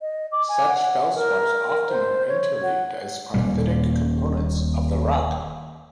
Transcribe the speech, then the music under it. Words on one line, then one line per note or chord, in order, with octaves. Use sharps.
Such feldspars often are interleaved as perthitic components of the rock.
D#5
D6
G#5
F#5
A#4
C5
C#5
F#5
D#1 A#2 G3